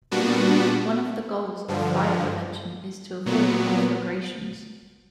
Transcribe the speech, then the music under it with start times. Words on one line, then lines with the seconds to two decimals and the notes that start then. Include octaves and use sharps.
One of the goals of fire prevention is to avoid conflagrations.
0.11 A#2 G3 B3 D4 F#4
1.68 G2 D3 F3
3.26 A#2 F#3 B3